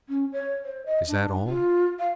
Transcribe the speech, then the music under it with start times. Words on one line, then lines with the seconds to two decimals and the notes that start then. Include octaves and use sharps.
"Is that all?"
0.09 C#4
0.32 C#5
0.65 C5
0.86 D#5
1.08 D4
1.47 F4
1.99 F5